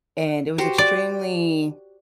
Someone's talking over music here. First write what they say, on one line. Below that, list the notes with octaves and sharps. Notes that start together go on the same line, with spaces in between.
and it was extremely
F#4 G4 C5
D5